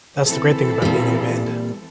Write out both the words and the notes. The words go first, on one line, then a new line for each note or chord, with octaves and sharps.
That's the great thing about being in a band.
E3 C4 A4
A#2 G3